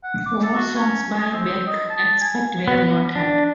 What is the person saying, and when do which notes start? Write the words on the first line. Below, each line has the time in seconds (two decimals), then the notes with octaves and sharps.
All songs by Beck, except where noted.
0.04 F#5
0.26 D6
0.43 A4
0.55 F#4
0.76 C#4
1.19 G#4
1.32 C4
1.66 D#5
1.90 A5
2.21 G#5
2.68 B3
3.15 D4